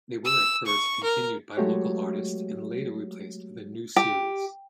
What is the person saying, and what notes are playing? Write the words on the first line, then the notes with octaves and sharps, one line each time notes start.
They were at first continued by local artists and later replaced with new series.
E6
C#6
A#4
F#3 G#3 A3 F#4 G4 C#5
G4